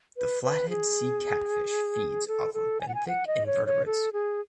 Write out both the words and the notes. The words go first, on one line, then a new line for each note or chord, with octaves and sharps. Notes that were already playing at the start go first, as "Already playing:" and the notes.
The flathead sea catfish feeds off of benthic invertebrates.
B4
B4
G#4
A4
A4
G#5
F#5
G#5
F#5
D#5
C#5
C#5
A4
G#4